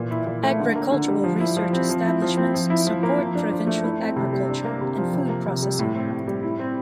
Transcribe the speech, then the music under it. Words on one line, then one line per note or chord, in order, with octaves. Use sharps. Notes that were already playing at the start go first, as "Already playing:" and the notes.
Agricultural research establishments support provincial agriculture and food processing.
Already playing: A#2 E3
E4
A#2
A3
D3
A#3
D3
G3
F3
E4
F3
C4
F3
E4
F3
C4
F3
E4
F3
A#3
F3
D4
F3
A3
E4
C4
C3
G3
D4
A#3
C3
F3
C3
A#3
C3
G3
A2
C4
A2
G3
E4
C4